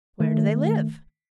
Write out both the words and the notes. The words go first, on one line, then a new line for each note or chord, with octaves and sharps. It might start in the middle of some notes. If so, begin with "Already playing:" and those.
"Where do they live?"
D#3 A3